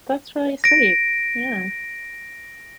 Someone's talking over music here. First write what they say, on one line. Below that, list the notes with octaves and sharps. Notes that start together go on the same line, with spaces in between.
That's really sweet, yeah.
A#6 D7